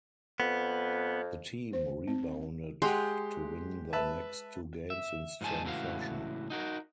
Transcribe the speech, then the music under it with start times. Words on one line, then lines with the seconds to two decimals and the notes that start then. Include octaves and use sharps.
The team rebounded to win their next two games in strong fashion.
0.40 F2 B3
1.73 C5
2.08 C4
2.82 G#3 G4 F#5 G5 C6
3.93 B4 E5 A5
4.90 E5
5.41 G#2 F3 G#3 G#5 A5
5.64 C#2 A2 E3 F#4 F5
6.50 D#4 F#4 A#4